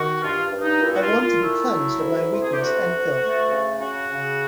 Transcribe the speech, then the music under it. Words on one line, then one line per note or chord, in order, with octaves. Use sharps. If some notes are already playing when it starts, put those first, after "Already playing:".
I want to be cleansed of my weakness and filth.
Already playing: D#3 F#4
G2 F4
G2
D#4
A#2 E4
F#4
F4
A#2
F4
A3 E4
F#3
D2
C3
G#4
G4
D2 F#4
D2
A3
C#3
C#3 F#4
C#3